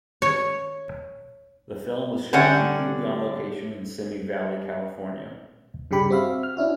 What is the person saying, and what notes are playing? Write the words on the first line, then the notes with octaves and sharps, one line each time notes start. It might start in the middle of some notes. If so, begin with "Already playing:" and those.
The film was shot completely on location in Simi Valley, California.
C#5
D3 G3 C#4 F#5
G2 C#3 D4 G4 B5
C4 F#4 E5 F5
F6
C#4 D4 E4 F#4